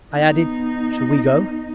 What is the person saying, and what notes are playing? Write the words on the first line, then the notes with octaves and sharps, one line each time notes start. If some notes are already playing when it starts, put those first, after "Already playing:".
I added, "Shall we go?"
B3 D#4